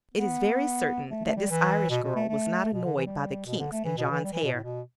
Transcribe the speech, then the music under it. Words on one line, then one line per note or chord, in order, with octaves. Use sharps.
It is very certain, that this Irish girl was not annoyed by the kinks in John's hair.
B3
A3
A3
G3
E3
B2
B2
A3
A3
B2
D3
E3
G3
B2
D3
A3
E3
B2
E3
G3
E3
B2
A2
B2